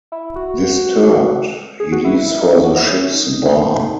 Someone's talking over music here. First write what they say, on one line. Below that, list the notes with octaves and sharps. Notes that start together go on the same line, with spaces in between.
Disturbed, he leaves for the ship's bar.
E4
F#4
G#4
F#4
E4
E4
E4
D#4
C#4
F#4
E4
C#4
C#4
D#4